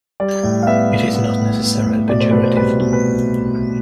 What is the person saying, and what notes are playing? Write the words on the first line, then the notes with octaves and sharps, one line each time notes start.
It is not necessarily pejorative.
G3 D5
A2
F5
B3 E5
A2
B3
A2
B3
A2
B2 D5
C5
B2 B4
C5
C2 B4
B2
B4